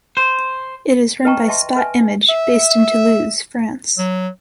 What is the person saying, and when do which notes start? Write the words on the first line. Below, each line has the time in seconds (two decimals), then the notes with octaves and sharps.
It is run by Spot Image, based in Toulouse, France.
0.17 C5
1.25 B4 D#5 G5 A5 A#5 C#6
1.48 D#5 E5 A5 C6
1.76 B4 E5 G#5 A5
2.29 E5
3.98 F#3